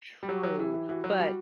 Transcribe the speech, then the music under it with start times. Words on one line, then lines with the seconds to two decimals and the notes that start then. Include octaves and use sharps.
true, but,
0.23 G3
0.28 F#3 G4
0.43 F#3
0.58 E3 E4
0.74 E3
0.89 E3 F#4
1.04 F#3
1.19 G3 F#4